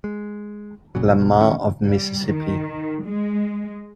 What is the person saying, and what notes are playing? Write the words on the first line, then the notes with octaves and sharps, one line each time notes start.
Lamar of Mississippi.
G#3
F#1 A#2 C#3 F#3
D1 B2
D3 D#3 C#4
G3
D#3
G#3